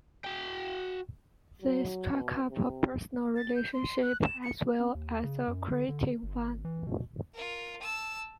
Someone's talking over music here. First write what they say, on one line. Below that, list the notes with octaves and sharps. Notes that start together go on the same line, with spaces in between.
They struck up a personal relationship as well as a creative one.
F#4 G5
F#3
B2
C3
A6
G6
C6
F#6
E7
C#7
C4
D#2
C#3
F#2
D3
D3
G1
G#1
E3
B2
F4 A#4
A5 E6